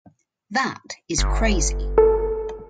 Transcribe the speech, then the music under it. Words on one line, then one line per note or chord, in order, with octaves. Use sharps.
That is crazy.
G1
A4